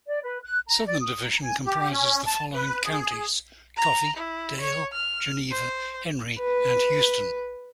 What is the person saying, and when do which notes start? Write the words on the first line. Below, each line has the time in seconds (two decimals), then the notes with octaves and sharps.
Southern Division comprises the following counties: Coffee, Dale, Geneva, Henry, and Houston.
0.07 D5
0.23 B4
0.43 F#6
0.67 A#5
0.87 D5
1.00 D#6
1.24 A#5
1.42 G#5
1.66 G4
1.91 C#4
2.27 A5
2.54 B4
2.85 G#4
3.76 A#5
4.17 E4
4.60 C#5
4.93 F6
5.51 C5
6.40 B4